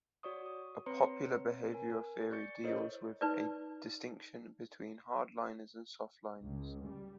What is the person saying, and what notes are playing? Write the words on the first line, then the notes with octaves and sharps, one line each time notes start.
A popular behavioral theory deals with a distinction between hard-liners and soft-liners.
F#4 C#5 D5 C#6 D#6
D#6
C4 B4 C#5 A#5 C6 C#7
A#4 G#5
D5 C#6 G6 A6 C#7
E4 A4 A#4 C5 C#5 D#5
D#4 B4 D5
C#2
G3